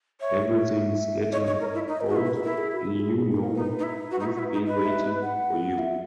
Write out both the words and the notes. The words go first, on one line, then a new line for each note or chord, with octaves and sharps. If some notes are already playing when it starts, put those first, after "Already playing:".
Everything's getting cold and you know we've been waiting for you.
C#5 E5
E5
C#5 D#5
C#5
A#4
E4
D#4 D#5
A#4
F#4 B4
E4
B4
G#4
E4 A#4
F#4
G#4
F#4
E4
G#4
G#4
G#4
A#4
D#4 B4
D#4
E4
F#4
D#4
E4
F#4
E4
D#4
B4 D#5
E5
F#5
E5